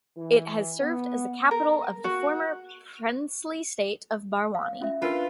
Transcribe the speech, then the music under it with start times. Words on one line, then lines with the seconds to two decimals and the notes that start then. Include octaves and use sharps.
It has served as the capital of the former princely state of Barwani.
0.17 E3
0.81 B3
1.51 A#4
2.04 F#4
4.55 F5
4.81 C#4 F4 E5
5.02 D4 F4 A#4 B4